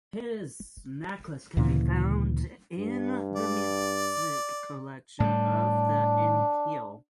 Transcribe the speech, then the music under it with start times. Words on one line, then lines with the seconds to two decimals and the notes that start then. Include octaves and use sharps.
His "Nachlass" can be found in the music collection of the in Kiel.
1.57 D2 A#2 C#3 E3
2.79 G2
3.36 D5
5.20 A2 G3 D4